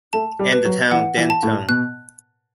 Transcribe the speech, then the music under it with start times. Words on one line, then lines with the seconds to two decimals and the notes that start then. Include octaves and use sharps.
And the town, Denton.
0.13 A3 A5
0.39 G3
0.52 B4
0.65 F#3
0.91 E3 F#5
1.17 E3
1.30 A5
1.43 A2
1.68 B2 F#6